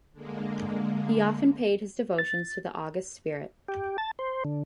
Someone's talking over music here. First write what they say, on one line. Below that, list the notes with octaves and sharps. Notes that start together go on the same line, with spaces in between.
He often paid his devotions to the august spirit.
D3 G#3 A#3
A6
G4
A5
C5
D3